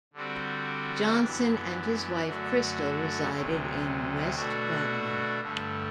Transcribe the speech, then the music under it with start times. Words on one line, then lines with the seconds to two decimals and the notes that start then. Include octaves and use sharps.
Johnson and his wife Christel resided in West Babylon.
0.14 D3 G3 C4 F#4
1.19 F#2 E3 B3 D4
2.25 F#2 D3 A3 D4 F#4
3.29 D2 C3 F#3
4.35 B2 A3 D4 F#4
5.40 G2 D3 A3